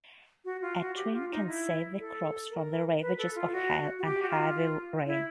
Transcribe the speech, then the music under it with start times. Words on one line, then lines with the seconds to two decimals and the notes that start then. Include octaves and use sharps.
A twin can save the crops from the ravages of hail and heavy rain.
0.45 F#4
0.62 F4
0.80 F#4
0.96 G4
1.13 F4
1.31 D#4
1.48 E4
1.99 A4
2.50 A#4
3.01 B4
3.18 A4
3.35 F4
3.52 F#4
3.99 F#4
4.04 G4
4.23 F#4
4.30 F4
5.06 E4